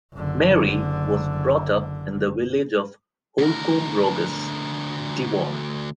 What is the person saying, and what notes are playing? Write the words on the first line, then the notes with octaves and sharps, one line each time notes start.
Mary was brought up in the village of Holcombe Rogus, Devon.
F#1 D3
D2 A#4